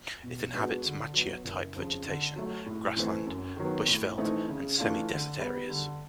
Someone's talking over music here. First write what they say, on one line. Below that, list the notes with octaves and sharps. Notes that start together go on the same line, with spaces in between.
It inhabits macchia-type vegetation, grassland, bushveld, and semi-desert areas.
B2
G#3 B3 D4 F#4
D3
F#3 B3
F#1
F2 C#3 F3
D3
F#3 A3
A2
E3 A3 C4
F#2
D#3 F#3 B3
A2
E3 A3 C4 D#4
C#3
E3 A3 D4 F4
D3
G3 B3
D3